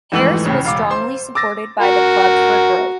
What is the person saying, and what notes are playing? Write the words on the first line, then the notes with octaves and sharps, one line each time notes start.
Harris was strongly supported by the Club for Growth.
F2 G#2 E3 A3 E6 F#7
F1 A2 C#3
E1 F5 D6
C5 C6
D6 E6 A6 A#6
F#4 A#4